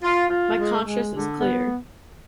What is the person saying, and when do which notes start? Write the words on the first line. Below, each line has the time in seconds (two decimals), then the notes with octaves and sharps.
My conscious is clear.
0.03 F4
0.29 F4
0.57 G#3
0.84 G#3
1.11 D3
1.37 B3